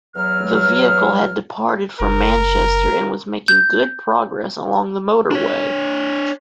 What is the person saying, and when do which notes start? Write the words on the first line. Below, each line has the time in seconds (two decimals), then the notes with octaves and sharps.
The vehicle had departed from Manchester and was making good progress along the motorway.
0.16 E2 F#3 F6
2.00 F#1 A#4
3.48 G6
5.31 D4 C#5